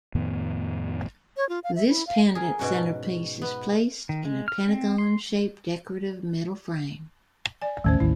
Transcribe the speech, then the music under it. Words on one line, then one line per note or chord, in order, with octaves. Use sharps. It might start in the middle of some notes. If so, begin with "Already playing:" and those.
This pendent centerpiece is placed in a pentagon shaped decorative metal frame.
F2 A2 D#3 B3
C#5
F4
F5
E5
E4
F5
G#4 A#4
G#2 B2 C#4 F#4
B3
D#3
G#3
F6
C4
C6
D5 G#5
A1 D#2 A3 C#4 C5
A1 D#2 E4